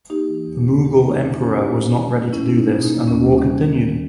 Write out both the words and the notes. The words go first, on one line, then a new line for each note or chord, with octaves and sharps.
The Mughal Emperor was not ready to do this and the war continued.
A#3 D#4 G4
E3
E2
C#3
A#3 D#4 G4
E3
D#4
E2
C#4 E4
C#3
A#3 D#4 G4
B2
B2
A#3
A#3 C#4 E4
B2
D#4
B2
D#4
A#3
D#2 C#4
G3
D#2
D#3
D#2